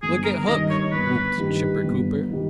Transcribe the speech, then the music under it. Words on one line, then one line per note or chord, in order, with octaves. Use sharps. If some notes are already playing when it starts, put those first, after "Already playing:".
"Look at Hook!" whooped Chipper Cooper.
G1 G#4
A#4
G2 D#3 G3 D#5
C#5
G1 B4
G2 D#3 G3
G1
D#3 G3